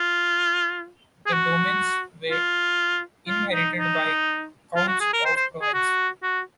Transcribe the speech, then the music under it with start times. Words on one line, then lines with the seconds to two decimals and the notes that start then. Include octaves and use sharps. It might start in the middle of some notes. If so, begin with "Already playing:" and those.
The domains were inherited by Counts of Provence.
Already playing: F4
1.27 G#4
1.33 F#4
2.31 F4
3.28 F4
3.53 D#4
3.78 D#4
4.76 F4
4.88 F#4
5.00 G#4
5.13 A#4
5.25 C5
5.36 C5
5.62 G#4
5.74 F#4
6.23 F#4